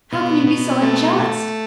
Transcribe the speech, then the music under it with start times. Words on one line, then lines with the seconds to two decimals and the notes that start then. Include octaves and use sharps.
How can you be so unjust?
0.12 B2
0.47 B2
0.82 A3
1.16 A3